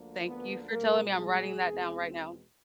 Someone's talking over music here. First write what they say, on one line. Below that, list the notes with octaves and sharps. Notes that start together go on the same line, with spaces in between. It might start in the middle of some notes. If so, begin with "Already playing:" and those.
Thank you for telling me, I'm writing that down right now.
Already playing: D2 D3 F3 A#3
B3 B4
A#2 G3 A#3 C4 A#4
G#3 G#4
E2 B2 G#3 C4